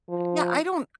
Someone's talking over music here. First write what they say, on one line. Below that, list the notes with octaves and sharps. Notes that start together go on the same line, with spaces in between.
Yeah. I don't
F3